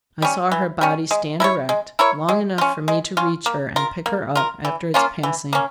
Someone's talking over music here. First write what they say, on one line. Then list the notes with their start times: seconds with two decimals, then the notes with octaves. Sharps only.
I saw her body stand erect, long enough for me to reach her, and pick her up, after its passing.
0.22 G3 C#4
0.52 E3
0.81 G3 C#4
1.11 G#3
1.40 E4 A#4 C#5
1.69 G#3
1.99 E4 A#4 C#5
2.29 G#3
2.58 C#4 F4
2.88 G#3
3.17 C#4 F4
3.46 A#3
3.76 F4 A#4
4.06 A#3
4.35 F4 A#4
4.65 E3
4.94 A#3 C#4 F4
5.23 E3
5.53 A#3 C#4